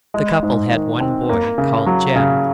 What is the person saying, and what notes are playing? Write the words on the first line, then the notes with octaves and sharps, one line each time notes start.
The couple had one boy called Jem.
G#3
G#2
D#3
C4
A#3
C#3
F#3
C#3